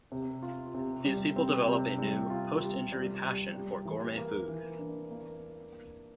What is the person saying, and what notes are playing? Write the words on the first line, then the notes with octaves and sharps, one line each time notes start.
These people develop a new, post-injury passion for gourmet food.
C3
F4
C3
G3
C4
C3
G3
F4
G3
G3
G3
G3
E3
A#3
E3
D4
A#3